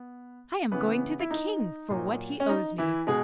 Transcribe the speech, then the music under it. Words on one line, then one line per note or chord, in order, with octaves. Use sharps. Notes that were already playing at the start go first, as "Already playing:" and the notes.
'I am going to the King for what he owes me.'
Already playing: B3
C#3 E3 B3 B4
E4
D#4
A#2 F#3
C#4
D#4
E3 E4
B2 G#3 G#4